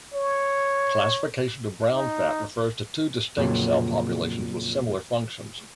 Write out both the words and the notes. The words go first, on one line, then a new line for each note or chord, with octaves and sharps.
Classification of brown fat refers to two distinct cell populations with similar functions.
C#5
D#4
F2 A#2 C#3 F#3